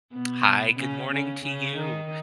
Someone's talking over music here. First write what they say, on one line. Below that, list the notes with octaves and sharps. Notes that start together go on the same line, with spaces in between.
Hi, good morning to you.
B2 B3
C#3 C#4
C#3 C#4
C#3 C#4
D#3 D#4